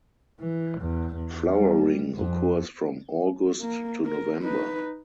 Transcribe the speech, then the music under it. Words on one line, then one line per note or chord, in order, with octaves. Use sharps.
Flowering occurs from August to November.
E3
E2
E2
G3
F2
A#3
A#4
D#4 B4